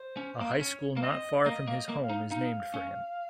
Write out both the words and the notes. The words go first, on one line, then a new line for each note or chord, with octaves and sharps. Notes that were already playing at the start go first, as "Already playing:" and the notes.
A high school not far from his home is named for him.
Already playing: C5
C#4
A#3
C4
C#4 C#5
A#3
C4 D#5
A#3 D#5
A#3
D#5
A#3
F5
D#4
D#4 F5
C#4